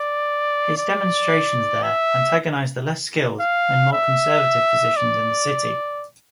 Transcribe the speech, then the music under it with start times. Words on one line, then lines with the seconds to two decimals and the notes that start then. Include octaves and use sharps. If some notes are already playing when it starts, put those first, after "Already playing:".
His demonstrations there antagonized the less skilled and more conservative physicians in the city.
Already playing: D5
0.78 D5
1.83 E5
3.39 F5
3.93 E5
4.97 D5